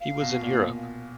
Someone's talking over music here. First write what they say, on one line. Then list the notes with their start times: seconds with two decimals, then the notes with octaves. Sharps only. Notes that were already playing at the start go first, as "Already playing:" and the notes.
He was in Europe.
0.01 F5
0.22 B2
0.43 A#2